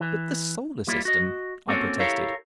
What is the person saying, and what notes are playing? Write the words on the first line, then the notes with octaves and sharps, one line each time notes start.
"But the Solar System!" I protested.
E3
G3 A#3 E4 F4
F#4 D#5
A#3 C4 C#4 F#4 A4 A#4
E4 G4 A4 A#4 C#5 F5